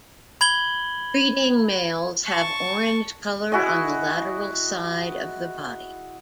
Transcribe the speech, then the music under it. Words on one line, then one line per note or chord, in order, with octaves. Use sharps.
Breeding males have orange color on the lateral side of the body.
B5 G#6 F#7 G7
A5 C#6
E4 F#4 G#4 D#5